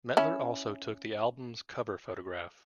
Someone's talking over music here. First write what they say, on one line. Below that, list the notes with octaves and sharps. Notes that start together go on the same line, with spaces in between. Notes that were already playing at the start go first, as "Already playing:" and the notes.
Mettler also took the album's cover photograph.
C#4 E4